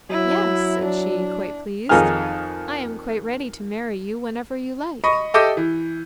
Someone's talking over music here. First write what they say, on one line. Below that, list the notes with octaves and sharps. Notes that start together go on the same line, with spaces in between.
'Yes,' said she, quite pleased, 'I am quite ready to marry you whenever you like.'
F#3 E4
D4
F2 D#3 D#4 G#4 G#5 F6
D#5 B5 C#6
G4 A4 D#5 E5 D6 G6
E3